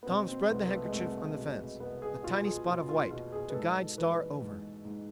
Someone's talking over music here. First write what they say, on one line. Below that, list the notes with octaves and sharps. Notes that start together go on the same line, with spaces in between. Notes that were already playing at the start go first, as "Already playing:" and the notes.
Tom spread the handkerchief on the fence--a tiny spot of white to guide Star over.
B3
B2 C4
C4
C2 B3
B3
A3
G#3
C2 A3
B2
C2 B3
G#4
B2 F4
G#4
B2 F4
F4
B2 F4
G#4
B4
G#2 A4
E3 B4
G#2
G#2